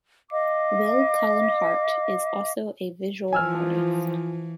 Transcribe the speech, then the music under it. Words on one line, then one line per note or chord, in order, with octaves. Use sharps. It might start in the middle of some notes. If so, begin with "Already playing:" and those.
Will Cullen Hart is also a visual artist.
D#5 F5 D6
E3 F3 G#5 E6 F6